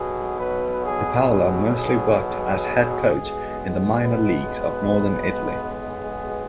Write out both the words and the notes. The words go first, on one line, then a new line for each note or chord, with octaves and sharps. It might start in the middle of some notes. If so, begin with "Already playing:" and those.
De Paola mostly worked as head coach in the minor leagues of Northern Italy.
Already playing: B1 B2 F#3 G#4
B4
G#4
G#4
G#4
G#4
B1 B2 G#3 B3
B4
G#4